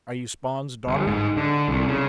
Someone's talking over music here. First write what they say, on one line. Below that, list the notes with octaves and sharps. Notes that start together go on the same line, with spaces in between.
"Are you Spawn's daughter?"
G1
G#2
D3
C2
C#3